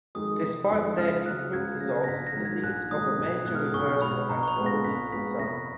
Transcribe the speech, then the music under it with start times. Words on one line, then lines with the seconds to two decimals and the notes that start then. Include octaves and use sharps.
Despite their improved results, the seeds of a major reversal had already been sown.
0.15 F2 D#3 G#3 D#6
0.43 F1
0.71 F2 D#3 G#3
0.98 C#2 F6
1.26 C#3 F#3 F#6
1.53 C#2 G#6
1.81 C#3 F#3 A#6
2.04 A#6
2.08 A#1 B6
2.27 A#6
2.36 G#2 D#3 F#3
2.45 G#6
2.63 A#1 F#6
2.91 G#2 D#3 F#3 D#6
3.19 B1
3.46 B2 G#3 F#6
3.55 F6
3.64 D#6
3.74 B1 C#6
4.01 B2 G#3 B5
4.29 A#1 A#5
4.43 C#6
4.48 B5
4.56 A#2 G#3 B3
4.66 A#6
4.84 A#1 B6
5.12 A#2 G#3 B3 B6
5.39 F1 A#6